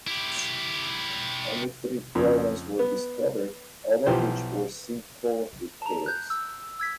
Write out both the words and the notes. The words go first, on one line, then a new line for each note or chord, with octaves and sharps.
Only three problems were discovered, all of which were simple repairs.
E4 G4
F2 C#3
B3
B1 E3 F3 G4 C5
A5 A#5
F#6 G6
E6
E6 G#6 B6